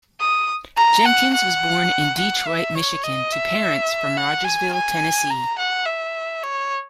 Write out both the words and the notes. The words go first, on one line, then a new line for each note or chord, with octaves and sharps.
Jenkins was born in Detroit, Michigan to parents from Rogersville, Tennessee.
D#6
A#5
F#5
F#5
F#5
E5
C#5
D#5
E5
F#5
G#5
G#5
A#5
F#5
E5
C#5